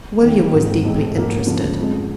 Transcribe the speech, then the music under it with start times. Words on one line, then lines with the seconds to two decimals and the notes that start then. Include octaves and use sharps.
William was deeply interested.
0.21 D#2 D#3 G3 C4
0.53 G#1 G#2 E3 G#3 C4
0.84 B1 A2 E3 G#3 C4
1.16 G#2 F3 A#3
1.47 E1 D2 C#3 F3
1.79 F2 C#3 F3 G#3